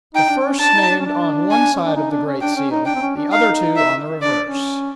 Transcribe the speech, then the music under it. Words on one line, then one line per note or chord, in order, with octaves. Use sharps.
The first named on one side of the great seal, the other two on the reverse.
D#4 G5
D4
C#4
D4 A5
D#4
D4
C#4
D4
G#5
C#4
D4
D#4
D4
C#4
D4 G5
C#4
D#4
D4 G5
C4
C#4
D4
D#4 F5
E5
D4 D5
C#4